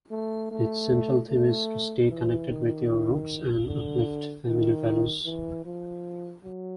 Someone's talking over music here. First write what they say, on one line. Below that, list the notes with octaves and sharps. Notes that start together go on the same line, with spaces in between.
Its central theme is to stay connected with your roots and uplift family values.
A3
A3
A3
E3
D#3
D3
D#3
E3
F3
F#3